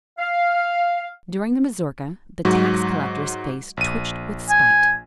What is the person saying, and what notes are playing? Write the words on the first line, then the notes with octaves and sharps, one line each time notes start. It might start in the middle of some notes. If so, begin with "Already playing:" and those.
During the mazurka the tax-collector's face twitched with spite.
F5
G#2 F#3 F#4
A#1 D#7
G#5